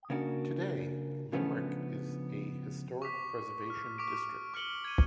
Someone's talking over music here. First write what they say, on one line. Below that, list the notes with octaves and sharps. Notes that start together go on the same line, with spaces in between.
Today, Limerick is a historic preservation district.
C#3 A#3 D4 F#4
C#3 F3 A3 B3 C#4 D4
C#6 D6 B6
F6
C#6 D6 B6 D7
C#6 F6 C#7 F#7 G7
G#6 D#7